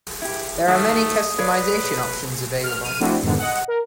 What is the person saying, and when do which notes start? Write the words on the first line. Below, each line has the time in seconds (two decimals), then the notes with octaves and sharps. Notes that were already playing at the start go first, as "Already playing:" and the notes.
There are many customization options available.
0.22 E4 G4
0.68 G#2 D#3 F#3 A3 D#6
1.38 B4 C#5 D5 F5
2.64 F6
2.83 F6 D#7
3.00 F3 A3 C4 D4 E4 F#4
3.23 F2 G#2 B2 D3 D#3
3.39 D#5 F#5
3.68 A#4